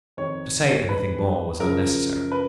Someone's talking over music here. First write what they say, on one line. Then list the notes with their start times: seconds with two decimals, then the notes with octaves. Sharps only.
To say anything more was unnecessary.
0.17 F2 D#3 C#5
0.89 B4
1.60 F#2 C#3 F3 A#4
2.32 B4